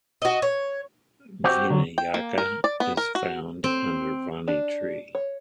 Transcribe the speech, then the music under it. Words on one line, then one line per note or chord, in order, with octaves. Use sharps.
Vinayaka is found under Vanni Tree.
F#4 D#5
C#5
C4 F#4 G4
D3 F#3
G5
A#3
A#4
D5
B3
A#4
F#4
C4
D4
C#5